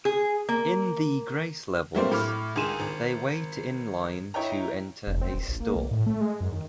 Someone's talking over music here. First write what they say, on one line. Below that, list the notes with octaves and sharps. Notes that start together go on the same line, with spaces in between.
In the Grace levels, they wait in line to enter a store.
G#4
A#3
F#3 G3 A3 A#3 C4 C5
A2 B5 D6 F6
C#2 D#3 G#4 C6 D#7 E7
G#1
E4 C#5 D#5 G5 A#5
F1
C4
D#1
A#1
A#3
B1
A2
A3
G#3
F#2
D#3